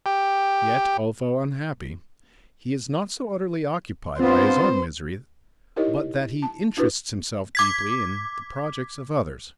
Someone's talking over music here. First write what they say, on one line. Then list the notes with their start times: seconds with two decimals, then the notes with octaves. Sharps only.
Yet, although unhappy, he is not so utterly occupied by his own misery but that he interests himself deeply in the projects of others.
0.06 G4
4.20 G2 B3 C4 F4 B4 C5
5.76 D#4 E4 G4 A#4 C#5 D#5
6.42 A5
6.77 D4 E4 F#4 B4
7.55 D6 G#6 B6